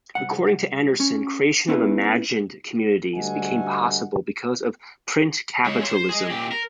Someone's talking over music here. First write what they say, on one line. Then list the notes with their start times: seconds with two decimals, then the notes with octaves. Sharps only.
According to Anderson, creation of imagined communities became possible because of "print capitalism".
0.15 C2 F#5
1.00 C#4
1.68 B3 C#4 E4 B4
3.15 D2 G3 A3 D#5 F#5 G#5
5.66 G#3 C#5
5.81 C#5 C6
5.94 C5
6.09 G#4 D#5
6.30 A#2 G4
6.52 A#4